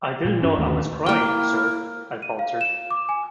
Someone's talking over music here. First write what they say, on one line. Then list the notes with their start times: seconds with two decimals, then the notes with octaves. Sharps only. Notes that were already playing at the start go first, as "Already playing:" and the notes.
"I didn't know I was crying, sir," I faltered.
0.25 A#2
0.42 G2 C#4
0.58 D#2 D3 D#3 A3
1.06 A#3 E4 G5 F6
2.22 D#7
2.39 F5
2.61 E7
2.91 D6
3.09 G#5